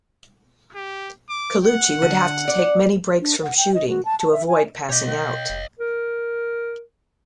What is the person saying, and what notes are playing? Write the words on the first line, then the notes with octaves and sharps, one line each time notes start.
Colucci would have to take many breaks from shooting to avoid passing out.
G4
D6
F#5
D3
D5
D4
F#5
G5
D#5
F#4
A5
A5
E5
G#5
B2 G4 C#5 D#5
G5
F1
A#4